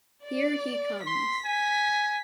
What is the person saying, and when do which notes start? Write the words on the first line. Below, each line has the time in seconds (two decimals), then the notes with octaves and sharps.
Here he comes.
0.24 D5
1.07 C6 B6
1.45 G#5